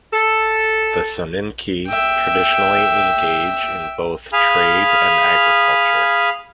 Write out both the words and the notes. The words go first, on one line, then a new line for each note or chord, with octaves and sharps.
The Soninke traditionally engage in both trade and agriculture.
A4
E5 G5
G#4 F5 G#5 B5 F6